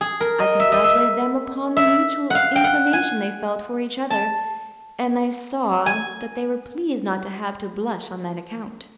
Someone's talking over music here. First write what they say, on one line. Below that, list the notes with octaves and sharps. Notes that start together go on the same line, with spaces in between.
I congratulated them upon the mutual inclination they felt for each other, and I saw that they were pleased not to have to blush on that account.
G#4
A#4
D#5
E5
D#5
E5
E5
F5 F#5
G5
F#5
G#5
A5
G#5